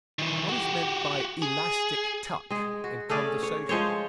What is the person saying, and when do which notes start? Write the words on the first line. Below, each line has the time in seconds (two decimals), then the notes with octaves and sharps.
What is meant by "elastic touch" in conversation?
0.19 D#3 E3
0.49 F#4 G4
1.42 G#4
2.50 G#3 G#4
2.84 F#4
3.09 A3 C#4 G#4 D5
3.43 C#5
3.69 F3 G#3 C5 C#5